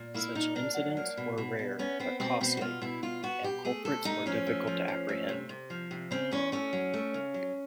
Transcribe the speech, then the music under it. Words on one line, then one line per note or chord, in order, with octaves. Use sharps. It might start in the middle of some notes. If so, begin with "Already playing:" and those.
Such incidents were rare but costly and culprits were difficult to apprehend.
Already playing: A#2
A#3 E4
A#2 D#4
A#3 D4
F#3
A#3
B2
B2
B2
B3 C#4
B3 C4
B2 C4
B2 C4
F#4
B2 F4
B2 E4
B2 F4
B3 F#4
B2 G4
A3 G#4
C3 A4
A3 D#4
F3 C#4
A3
F3
F3
A3
C3
C3
F3
C3
C#3 C4
E2 C#4
A3 C#4
F#3
A3
C#3
F#3